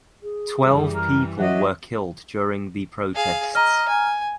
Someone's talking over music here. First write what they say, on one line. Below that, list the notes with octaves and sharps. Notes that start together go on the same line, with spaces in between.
Twelve people were killed during the protests.
G#4
F#2 E3 G3
A#4
F#3 D#5 E5 F#5
G#4 F5
D#5 A#5 F6
G#5